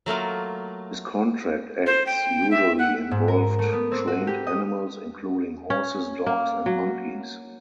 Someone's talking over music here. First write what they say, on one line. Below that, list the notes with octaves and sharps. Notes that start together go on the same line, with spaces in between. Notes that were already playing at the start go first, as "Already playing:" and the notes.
His contract acts usually involved trained animals including horses, dogs and monkeys.
F#3 A3 A#3 F4
C5
G5
E5
F#5
G#2
A#4
A3
B3
C4
F#4
G4
D#5
C#4
A#3
F#3